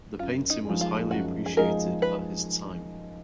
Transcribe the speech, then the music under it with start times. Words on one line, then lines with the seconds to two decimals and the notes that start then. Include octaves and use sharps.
The painting was highly appreciated at his time.
0.19 F#2 F4
0.50 D#4
0.65 F3 G#3 D#4 G#4
0.81 F4
1.11 F#2 F#4
1.46 G#4
1.57 F3 G#3 D#4 G#4 A#4
2.02 B4